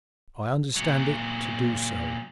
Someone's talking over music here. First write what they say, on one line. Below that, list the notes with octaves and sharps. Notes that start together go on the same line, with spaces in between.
"I understand it to do so."
A#2 F#3